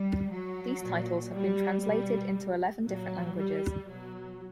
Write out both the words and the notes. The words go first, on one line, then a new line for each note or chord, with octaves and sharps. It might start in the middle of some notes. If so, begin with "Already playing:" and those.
These titles have been translated into eleven different languages.
Already playing: G3
F#3
A#2
G3
B2 G3
A#2 F#3
G3
B2 F#3